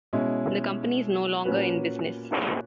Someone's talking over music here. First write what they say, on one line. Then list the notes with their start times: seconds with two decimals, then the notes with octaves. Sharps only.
The company is no longer in business.
0.13 B2 G#3 C#4 E4
1.45 A#2 A#3 C#4 F#4 B4